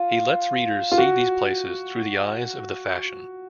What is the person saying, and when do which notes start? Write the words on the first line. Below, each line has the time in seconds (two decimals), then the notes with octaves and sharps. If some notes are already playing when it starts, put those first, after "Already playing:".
He lets readers see these places through the eyes of the fashion.
Already playing: F4
0.92 F4
0.98 F#4